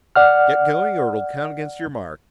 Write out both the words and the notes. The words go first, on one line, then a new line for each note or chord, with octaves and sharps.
"Get going or it'll count against your mark!"
D5 F#5 F6